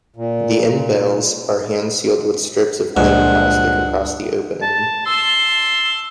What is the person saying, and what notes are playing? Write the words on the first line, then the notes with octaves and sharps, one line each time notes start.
The end-bales are hand-sealed with strips of cling plastic across the opening.
A#2
C#2 G2 A#2 F3 G#3 F#5
A5
A5 C6 E6